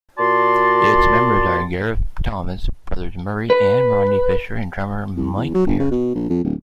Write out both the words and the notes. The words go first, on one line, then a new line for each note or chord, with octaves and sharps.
Its members are Gareth Thomas, brothers Murray and Rodney Fisher and drummer Mike Beehre.
A#2 F#4 D5 A5 C6
B4
C2
E2
F#3
G1
C#3
B2
A#1
F2
D1